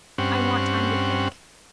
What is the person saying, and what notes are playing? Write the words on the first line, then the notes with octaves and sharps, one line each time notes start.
"I want time to think."
G2 C4 C#4 F#5